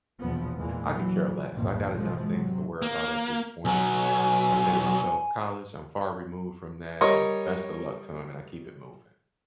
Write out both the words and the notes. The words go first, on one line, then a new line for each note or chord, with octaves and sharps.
I could care less. I got enough things to worry about at this point, and I say to myself, "College, I'm far removed from that, and best of luck to 'em," and I keep it moving.
A#1 E2 B2 F3 B3
E2 A#2 E3 G#3 A#3
E3 F#3
A#1 E2 G2 A#2 D#3 F3
G#2 B2 E3 F3 G#3
C3 F#3
A#3
B1 F#3 G#5
G3 A#4 C#5 D#5 C#6